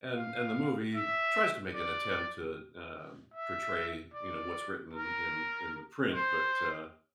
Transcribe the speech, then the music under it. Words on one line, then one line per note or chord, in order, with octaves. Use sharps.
and and the movie tries to make an attempt to, um, portray, you know, what's written in in in the print, but, uh,
F5
E5
D5
E5
D5
A#4
C5